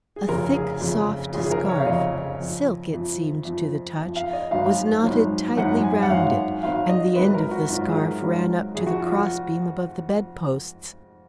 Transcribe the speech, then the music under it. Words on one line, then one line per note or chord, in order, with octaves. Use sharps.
A thick soft scarf--silk it seemed to the touch--was knotted tightly round it, and the end of the scarf ran up to the cross-beam above the bed-posts.
G#4
F1 F2 C#3 A#4
G#4
F1 F2 C#3
F1 F2 C#3 G#4
G#4
A#4
C#5
F5
F1 F2 C#3 D#5
F2 F3
F2 F3
F2 F3
F2 F3
F5
D#5
G#1 F#2 D#3 F#3 F5
G#1 F#2 D#3 F#3
G#1 F#2 D#3 F#3 F#5
G#5
F#5
G#1 F#2 D#3 F#3 F5
G#1 G#2 D#3 F#3 F5
D#5
G#1 G#2 D#3 F#3 B4
A#4
F#4
G#1 G#2 D#3 F#3 F4
G#4
A#4
G#1 G#2 D#3 F#3
F1 F2 F3 G#4
F#4
F4
F#4